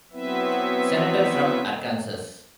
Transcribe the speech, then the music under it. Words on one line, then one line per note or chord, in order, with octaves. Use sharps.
Senator from Arkansas.
F#3 B3 C4 E4 B4 E5